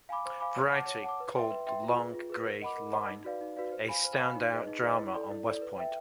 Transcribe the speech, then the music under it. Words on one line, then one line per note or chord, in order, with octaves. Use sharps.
"Variety" called "The Long Gray Line" "..a standout drama on West Point".
F5 G#5 B5 D6
C5
F5 G#5 B5 D6
C#5
F#5 A5 D6
C#5
F#5 A5 D6
B4
E5 G5 C6
B4
E5 G5 C6
F4
G#4 B4
F4
G#4 B4
A#4
D#5 F#5 B5 D6
A#4
D#5 F#5 B5 D6
D#4
F#4 B4 D5 F5
D#4
F#4 B4 D5 F5
C5
F5 G#5 B5
C5
F5 G#5 B5
D#4
G#4 B4 D#5
D#4
G#4 B4 D#5
E4
A4 D5
E4
A4 D5
B4
E5 G5